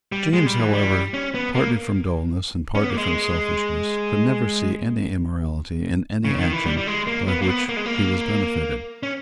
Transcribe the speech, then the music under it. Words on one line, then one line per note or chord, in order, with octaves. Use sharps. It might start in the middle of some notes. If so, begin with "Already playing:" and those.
James, however, partly from dulness and partly from selfishness, could never see any immorality in any action by which he was benefited.
G3
G#3
G3
E3
G3
C#4
B3
A#3
C#4
B3
A#3
G#3
C#3
D#3
E3
G3
G3
G#3
A#3
B3
A#3
B3
A#3
G#3
A#3
C#4